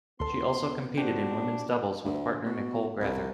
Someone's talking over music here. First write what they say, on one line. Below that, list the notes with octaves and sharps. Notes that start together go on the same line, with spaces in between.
She also competed in women's doubles with partner Nicole Grether.
D2 B3 A4 C6
C4 D4 F#4 G4 G5
D2
B2
C2